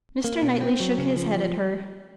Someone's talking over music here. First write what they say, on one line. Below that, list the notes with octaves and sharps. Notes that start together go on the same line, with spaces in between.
Mr. Knightley shook his head at her.
A#3
B2
C4
F#3
C#3
F3